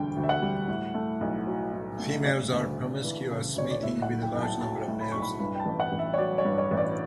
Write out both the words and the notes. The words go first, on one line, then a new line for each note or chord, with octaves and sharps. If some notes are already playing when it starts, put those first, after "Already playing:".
Females are promiscuous, mating with a large number of males.
Already playing: E1 D2 D3 G3 G5
D2
E5
F#5
G3
A2
A3
B1
F#3
A2
A3
C#3 D5
D2
D2
E3
C#3
D2 C#5
D5
A2 E5
F#5
B1
G5
B1
A5
F#3 A5
A2
B5
B1 C#6
B5
G2 B5
G5
A5
A1
F#5
A1
E5
C#5
F#3 D5
C#5
G2
C#5
A1
D5